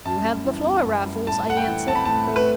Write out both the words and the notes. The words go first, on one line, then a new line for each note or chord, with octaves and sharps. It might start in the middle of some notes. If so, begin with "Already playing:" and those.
"You have the floor, Raffles," I answered.
F#2 A5
G3
E3
B3
F#2
G3
A2 A5
A3 F#5
G5
E3
C4 A5
B5
A2 A5
A3
B4